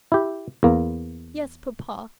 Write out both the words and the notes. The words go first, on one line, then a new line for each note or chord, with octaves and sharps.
"Yes, papa."
E4 G4
E2 A#3